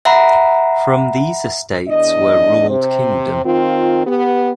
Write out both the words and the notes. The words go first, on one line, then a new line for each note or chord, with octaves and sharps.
From these estates were ruled kingdom.
E5 F#5 A#5 B5
E2 D4 D#5
C3 C5
D#3 C4 F4
B3 G4